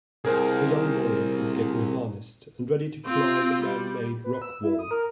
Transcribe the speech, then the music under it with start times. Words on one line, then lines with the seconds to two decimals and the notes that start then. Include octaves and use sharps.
A young boy is getting harnessed and ready to climb a manmade rock wall.
0.25 C2 G#4 A#4 C5
3.05 C4 F4
3.62 G3
4.24 B4
4.42 E6
4.63 E4
4.79 D#6
4.91 A#4